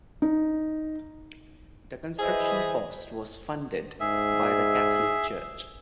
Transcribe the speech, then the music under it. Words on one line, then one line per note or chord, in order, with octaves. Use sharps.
The construction cost was funded by the Catholic Church.
D#4
E3 G#4 C5 D#5 E5
G#2 G#4 E5